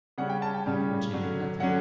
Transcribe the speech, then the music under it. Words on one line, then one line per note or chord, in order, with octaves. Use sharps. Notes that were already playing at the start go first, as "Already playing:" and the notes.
I have originated nothing.
C#3 G3 C#4 F#5
G5
A5
G5
C#3 G3 C#4
D3 F#3 C#4
D3 F#3 C#4 F#5